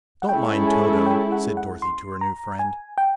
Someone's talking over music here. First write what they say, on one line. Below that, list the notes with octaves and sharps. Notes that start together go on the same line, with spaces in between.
"Don't mind Toto," said Dorothy to her new friend.
F#5
G#3 C#4 E4 A4 G5
G#5
G5
F#5
F#5
C6
A#5
G#5
G5